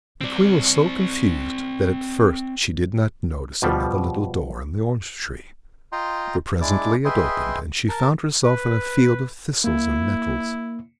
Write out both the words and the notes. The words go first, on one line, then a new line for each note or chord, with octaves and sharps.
The Queen was so confused that at first she did not notice another little door in the orange tree, but presently it opened and she found herself in a field of thistles and nettles.
C4 D5
B2 F3 G3
F4 D#5 G5 A#5 C6
G#3 D4 E4 A5 D6
G#4 B4 D#5 E5 G5 C6
A#4 A5
B4
A#3 E4